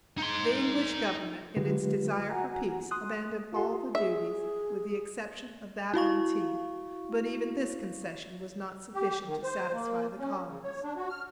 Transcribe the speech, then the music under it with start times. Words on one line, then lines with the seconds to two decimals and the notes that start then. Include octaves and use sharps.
The English government, in its desire for peace, abandoned all the duties with the exception of that on tea; but even this concession was not sufficient to satisfy the colonists.
0.18 D#4 C6
1.56 D3 F#3 G#3 F4 G4 B4
2.30 F#4 F#5 G#5 A#5
2.91 C6 D#6 F#6
3.53 F4 G4 A4 F#5 C6
3.95 G#4 E5
5.94 E4 F#4 F5 C#6
8.95 G4
9.27 D#3
9.43 C5
9.74 A#3
10.19 C#4
10.48 C#3
10.63 C#5
10.84 D4
10.96 F#4
11.10 F6